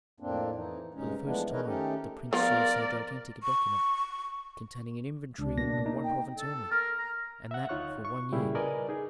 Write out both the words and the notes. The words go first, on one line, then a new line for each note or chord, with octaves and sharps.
For the first time the prince saw so gigantic a document, containing an inventory of one province only and that for one year.
F2 A2 A#3 C4 D4
E3 D#4
G2 C3 G#3 C#4 D#4
E3 F3 G#3 A3 B3 D4
D#4 G#4 A#4 B4 C#5 D#5
D#3 A3 C#4 D#4 G4 A4
F3 B3 F4 A#4 D5
C#6
C#2 D4
B2 A#3 A#6
D#4
G5
A4
A#4 F6
A#5
E5 F#5
D2 D#4 F4 C#5 C#6 F#6
C#6
A#2 C#3 G3 E4 G4 G#4
A#4 B4 D5 D#5 G#5
D#4 G#4